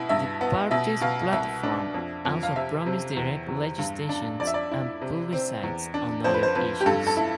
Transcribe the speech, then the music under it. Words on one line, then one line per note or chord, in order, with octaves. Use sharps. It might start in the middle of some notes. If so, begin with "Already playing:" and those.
The party's platform also promised direct legislation and plebiscites on other issues.
Already playing: B2 E4
G2 E5
B3
B2 E5
B2 F5
C2 E5
D4
F2
F2
F5
C3 E5
C3
E2
E2
G2
D4
F2 D5
E5
D5
E4
C3
C4
E2
D4
F2 C5
B4
C5
F2 B4
G4
G2 A4
A4
E4